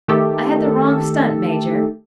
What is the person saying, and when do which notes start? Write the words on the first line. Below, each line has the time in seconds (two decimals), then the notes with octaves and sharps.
I had the wrong stunt, Major.
0.08 D#3 A3 G4 A4